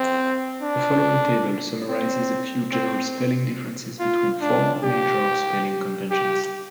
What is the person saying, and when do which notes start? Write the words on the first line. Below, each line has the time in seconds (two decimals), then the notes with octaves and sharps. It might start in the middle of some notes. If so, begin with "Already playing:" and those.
The following table summarizes a few general spelling differences between four major spelling conventions.
Already playing: C4
0.62 D4
1.89 C4
2.72 C4
4.00 F4
4.42 D4
4.83 G4
6.10 G4